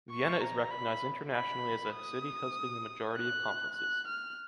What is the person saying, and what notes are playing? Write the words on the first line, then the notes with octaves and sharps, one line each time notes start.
Vienna is recognized internationally as a city hosting the majority of conferences.
C#6
A#5
B5
B5
D#6
F#6
F#6
F6